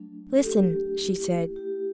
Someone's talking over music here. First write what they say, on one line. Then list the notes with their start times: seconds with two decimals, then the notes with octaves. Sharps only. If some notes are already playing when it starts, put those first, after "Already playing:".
"Listen," she said.
Already playing: F#3 A3 D4
0.38 A4
0.45 F#3 A3 D4 G4
1.01 A3 E4
1.56 A3 E4 G4